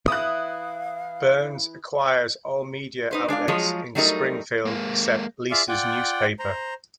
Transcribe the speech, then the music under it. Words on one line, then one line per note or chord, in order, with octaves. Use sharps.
Burns acquires all media outlets in Springfield except Lisa's newspaper.
E3 E4 F5 D#6 F#6
D#4 B4 C5
G#3 D4 D5 F5
F3 F#3 G#3 F4 G#4 C#5
F#3 G3 A3 D#4 F#4 A#4
G#3 A#3
F4 G#4 D5 E5 F5
F4 D5 F#5 G5
C5 A#5